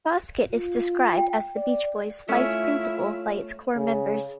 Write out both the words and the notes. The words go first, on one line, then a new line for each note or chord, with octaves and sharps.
Foskett is described as The Beach Boys' "vice principal" by its core members.
F4
G5
D5
A3 C#4 E4 F4 E5
C#3